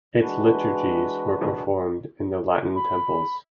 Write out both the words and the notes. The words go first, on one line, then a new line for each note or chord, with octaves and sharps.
Its liturgies were performed in the Latin temples.
E3 G#3 D4 F#4 B4
B5